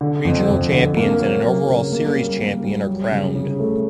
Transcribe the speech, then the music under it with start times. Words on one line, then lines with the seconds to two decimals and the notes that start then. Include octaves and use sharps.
Regional champions and an overall series champion are crowned.
0.01 D3
0.25 F2
0.49 F2
0.72 D3
0.97 A#3
1.21 F#3
1.45 F#3
1.68 C#3
1.92 A#3
2.16 G3
2.40 A#3
2.64 G3
2.87 F#3
3.11 C#3
3.35 C#3
3.60 A3